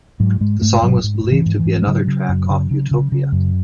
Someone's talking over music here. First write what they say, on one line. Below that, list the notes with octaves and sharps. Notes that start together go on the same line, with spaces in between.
The song was believed to be another track off "Utopia".
G#2 F#3
G#2 G#3
G#2 A3
G#2 F#3
G#2
G#2
E3
G#2
E3
G#2
G#3
C#3 F#3
C#3
F#2
C#3
C#3
C#3
C#3
F#2